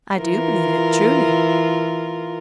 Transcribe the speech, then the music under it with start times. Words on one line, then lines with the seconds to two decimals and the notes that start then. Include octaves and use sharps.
"I do believe it, truly."
0.17 E3 F4 A#4